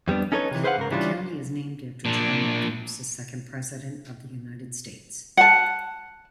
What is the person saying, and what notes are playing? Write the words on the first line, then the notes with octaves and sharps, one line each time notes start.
The county is named after John Adams, the second President of the United States.
F2 G3 B3 D4
C#4 D#4 A4 B4 C#5
C3 E3
G#4 B4 C5 D#5 F5 F#5
G#2 C#3 A#4
C#3 E3 G3 D4 F4
A#2 D4
F#5 A5